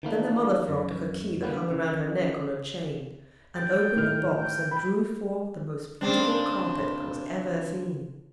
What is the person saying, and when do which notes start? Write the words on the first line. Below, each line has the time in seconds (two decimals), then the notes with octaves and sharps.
Then the mother Frog took a key that hung around her neck on a chain, and opened the box and drew forth the most beautiful carpet that was ever seen.
0.03 D#3 E3 A#3 D4
0.68 F#2
1.43 D3 G3 G#3 A#3 B3
1.70 C#3
3.56 G5 A6
3.95 A2 D#3 F6
4.37 G5
4.71 G5 B5
6.01 C#3 C4 D4